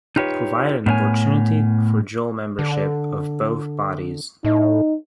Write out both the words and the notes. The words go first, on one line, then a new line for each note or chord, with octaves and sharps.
Provide an opportunity for dual membership of both bodies.
D#4 F4 G4 B4 C#5
A2 B3 D4 A#4 C#5 G#5
D3
A2 D#4